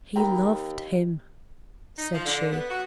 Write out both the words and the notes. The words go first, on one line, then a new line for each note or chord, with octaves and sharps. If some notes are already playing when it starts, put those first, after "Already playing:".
'He loved him,' said she.
D#2 G5 A#5 B5
D#4
F3
D3
B3
F#4